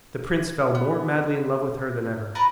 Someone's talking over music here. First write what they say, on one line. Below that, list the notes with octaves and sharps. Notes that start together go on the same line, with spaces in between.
The prince fell more madly in love with her than ever.
B3
A#4 B4 A5 A#5